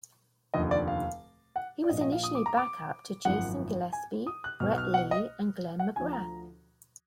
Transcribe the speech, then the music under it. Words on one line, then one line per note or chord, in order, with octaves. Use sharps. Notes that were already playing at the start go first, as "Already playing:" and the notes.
He was initially back up to Jason Gillespie, Brett Lee and Glenn McGrath.
F1 D#2 D3 F3 D#5
D5
F5
F#5
D5
A#1 A#2 F3 D#5
D#5
F5
D#6
D6
A#5
D6
G#1 F#2 F3 F#5
G#5
D#6
F#6
B1 B2 F6
F6
F#5
D#5
F#5
D2 D3 F3 G#5
A#5